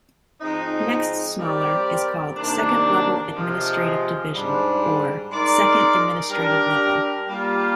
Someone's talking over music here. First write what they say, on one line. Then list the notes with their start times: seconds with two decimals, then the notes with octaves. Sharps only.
Next smaller is called "second-level administrative division" or "second administrative level".
0.40 G#2 F3 C4 D#4
1.38 G3 C4 G4 A#4 D5
2.37 C3 D#3 A#3 D4
3.35 C3 F3 G#3
4.33 G#2 G3 D4
5.31 G#3 D#4 A#4 D5
6.29 G3 D4 G4 A#4
7.28 G3 A#3 F4